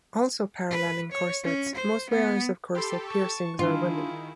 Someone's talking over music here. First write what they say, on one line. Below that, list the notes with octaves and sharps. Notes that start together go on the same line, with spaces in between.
Also paralleling corsets, most wearers of corset piercings are women.
B4
C#5
C#4
C5
B3
G4 A4 B5 C6
A5 C#6
D#3 D4 E4 F4 G#4